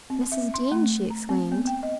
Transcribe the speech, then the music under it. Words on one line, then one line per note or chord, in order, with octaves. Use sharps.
Mrs. Dean!' she exclaimed.
C4
E5
C6
A3
A#5
C4
B3
G5
D#5